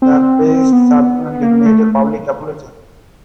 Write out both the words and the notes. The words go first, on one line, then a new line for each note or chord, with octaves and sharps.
The priest subsequently made a public apology.
C4
B3
A#3
A3